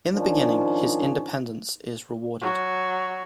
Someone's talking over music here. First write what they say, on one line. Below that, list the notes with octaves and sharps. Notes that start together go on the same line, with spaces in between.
In the beginning, his independence is rewarded.
G#2 D#3 F3 C#4 D4
F#3